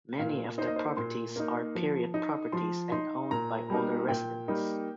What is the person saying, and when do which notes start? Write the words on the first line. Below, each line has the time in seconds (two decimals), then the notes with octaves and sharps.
Many of the properties are period properties and owned by older residents.
0.19 A#2 F5
0.58 A#3 D#4 C5
0.67 D#5
0.76 C5
0.97 A#2 C6
1.36 A#3 D#4
1.75 F3
2.14 D#4
2.52 F3 C6
2.92 D#4 C6
3.31 A#2 A#5
3.70 G3 A#3 D#4
4.08 A#2 G5
4.48 G3 A#3 D#4